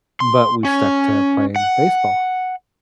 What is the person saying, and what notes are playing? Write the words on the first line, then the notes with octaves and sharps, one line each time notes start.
but we stuck to playing baseball,
C6
C#4
F#5